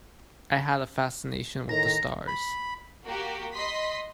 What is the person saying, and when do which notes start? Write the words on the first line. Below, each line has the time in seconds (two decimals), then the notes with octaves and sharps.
I had a fascination with the stars.
1.69 A2 D#3 A#5 A#6
2.28 B5
3.06 A#3 F#4 G4
3.55 D#5 B5 C6 B6